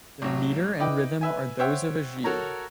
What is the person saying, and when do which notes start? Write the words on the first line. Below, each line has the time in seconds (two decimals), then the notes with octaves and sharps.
The meter and rhythm are those of a gigue.
0.22 A1 F#3
0.79 D#4 E4 B4 D5 D#5 G5
1.21 B4 E5 G#5
1.59 C5 C#5 E5 F#5 G5
2.24 F#4 A4 A#4 C#5 A#5